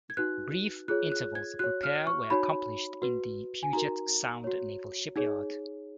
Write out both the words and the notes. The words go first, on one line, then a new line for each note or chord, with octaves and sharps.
Brief intervals of repair were accomplished in the Puget Sound Naval Shipyard.
G#6
D#4 F#4 B4 F#6
F4 G#4 C#5 F#6
F#6
G#6
F#4 C#5 F#6
F6
C#6
D#4 F#4 C#5 B5
F#4 B4
G#5
D#4 F#4 A#4 A#5
F#4 C#5
D#4 G#4 C#5